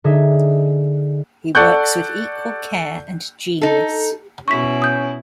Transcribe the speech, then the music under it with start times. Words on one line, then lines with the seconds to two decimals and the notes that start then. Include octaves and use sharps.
He works with equal care and genius.
0.04 D3 D#4 G#4 D#5 E5
1.55 A4 D5 F#5 C#6 F#6 G6
3.61 D#4 A4
4.48 B2 C#4 E4 C#6 B6
4.82 D#6 G6